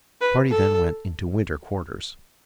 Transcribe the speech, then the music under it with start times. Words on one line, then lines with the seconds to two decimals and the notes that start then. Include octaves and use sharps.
The party then went into Winter Quarters.
0.21 B4
0.50 A4